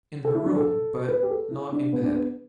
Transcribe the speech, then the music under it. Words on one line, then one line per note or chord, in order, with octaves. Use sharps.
'In her room, but not in bed.'
A4
E4
D4
A4
B4
G4
A4
E4
D4
B3
D4
B3